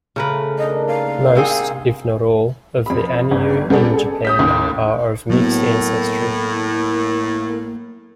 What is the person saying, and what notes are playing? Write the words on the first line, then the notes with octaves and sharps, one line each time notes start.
Most, if not all, of the Ainu in Japan are of mixed ancestry.
C#3 A3 A#4 B4
D#3 D4 D#5
A#3 F5
C3 C4 G#4
F2 B5
G1
G3 B3 G#4 A4 D5
G#4 A4
D#6 G6 B6
D#2 A2
A2 F#3 A#3 B3